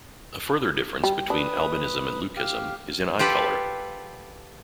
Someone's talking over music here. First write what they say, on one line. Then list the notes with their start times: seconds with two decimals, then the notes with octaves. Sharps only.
A further difference between albinism and leucism is in eye colour.
1.04 G3
1.30 D4 B4 D#6
2.37 G4 F5
3.19 F4 G4 A4 B4 F#5